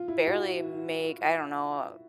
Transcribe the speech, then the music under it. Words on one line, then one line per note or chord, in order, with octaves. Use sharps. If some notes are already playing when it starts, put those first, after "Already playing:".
barely make, I don't know,
Already playing: F4
E4
F#4